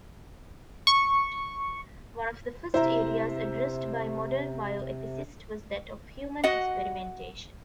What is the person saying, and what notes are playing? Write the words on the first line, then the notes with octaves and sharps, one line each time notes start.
One of the first areas addressed by modern bioethicists was that of human experimentation.
C#6
C3 E4 C5 E5 A#5
F#4 D#5 F#5